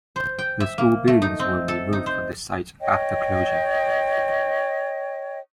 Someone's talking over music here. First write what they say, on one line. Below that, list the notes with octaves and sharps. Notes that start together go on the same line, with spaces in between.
The school buildings were removed from the site after closure.
C5
G5
E5
A#3
A3
D#4
C4
A4
D#4
C5
C#5 D#5 G5